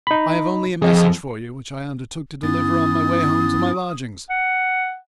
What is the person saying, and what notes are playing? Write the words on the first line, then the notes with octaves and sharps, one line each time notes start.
I have only a message for you, which I undertook to deliver on my way home to my lodgings.
D#4 B5
F2 G#4 D#5
G2 B3 C#4 E4 D#6 A6
F#5